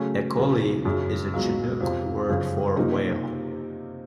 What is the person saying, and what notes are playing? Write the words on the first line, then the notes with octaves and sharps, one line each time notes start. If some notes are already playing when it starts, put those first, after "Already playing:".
"Ehkoli" is a Chinook word for "whale".
Already playing: C#3 F#3 A3 C#4
E2 C#3 F#3 B3
F#2 C#3 F#3
C#2 B2 F#3
F2 C3 F3
F#2 C#3 F3
C3 F3 A#3 D#4 G4